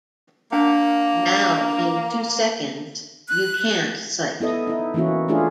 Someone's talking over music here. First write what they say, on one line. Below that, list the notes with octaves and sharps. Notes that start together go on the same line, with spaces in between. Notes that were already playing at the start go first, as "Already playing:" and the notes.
Now, in two seconds, you can't sight.
A#3 D4 F#5
F#6
B3 E4 A4 D#5
D#4 E4
E3 A#3 C#4 E4 F#4
A3 D4 E4 F4 G#4